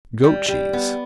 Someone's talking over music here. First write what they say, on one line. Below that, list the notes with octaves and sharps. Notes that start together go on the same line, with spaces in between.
Goat cheese.
G3
G3
B3